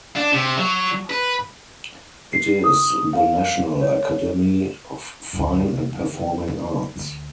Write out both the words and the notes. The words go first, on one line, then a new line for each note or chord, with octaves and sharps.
It is the national academy of fine and performing arts.
D4
C3
F#3
B4
C7
D#6
F5
C#5
D2 G#2
C2
E2
D2